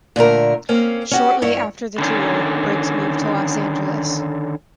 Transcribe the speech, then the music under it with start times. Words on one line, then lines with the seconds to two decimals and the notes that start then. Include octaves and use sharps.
Shortly after the tour, Briggs moved to Los Angeles.
0.16 A#2 D3 A3 A#4
0.69 A#3 C4 C#4
1.11 C#4 F#4 G4
1.42 G2 E4 C#5
1.98 D3 D#3 C#4